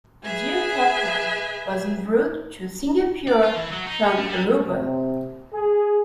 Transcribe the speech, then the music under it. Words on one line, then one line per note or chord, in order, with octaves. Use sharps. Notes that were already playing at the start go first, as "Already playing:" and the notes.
"Aegean Captain" was en route to Singapore from Aruba.
G#4 B4 E5 G#5
D5
F4
E3
F#3
D#4
C#4
A3
G3
C3
G#4